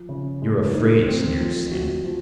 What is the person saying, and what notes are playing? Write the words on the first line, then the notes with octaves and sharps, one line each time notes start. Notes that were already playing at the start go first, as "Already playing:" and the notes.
"You're afraid," sneered Sam.
Already playing: F3
C#3
G#3
D#4
C4
F3
F#4
F3